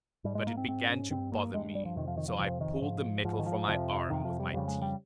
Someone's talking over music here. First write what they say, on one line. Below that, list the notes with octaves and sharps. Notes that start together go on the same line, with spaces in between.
But it began to bother me, so I pulled the metal from my arm with my teeth.
G#2 G3
G#3
A#3
C4
G#2 C4
C#4
G2 C4
A#3
G2 G#3
G#3
G3
F3
F2 C3 D#3
F3
D#3
F3
F2 C3 F3
D#3
G#2 F3
G#2 F3
D#3
F3
F2 C3 F3
F2 C3 D#3
F3
G3
F2 C#3 G3
G#3
G3